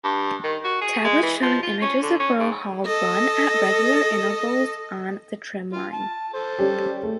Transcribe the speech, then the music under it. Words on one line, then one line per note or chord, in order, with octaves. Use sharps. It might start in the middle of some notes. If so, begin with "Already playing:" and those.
Tablets showing images of Borough Hall run at regular intervals on the trim line.
G2
D#3
F#4
G#4
G#3
E3
F3
F4
C#4
D3
C#4
G#2
A4 D#5
F4
A5
A4 C5
G3 C#4 G4
A3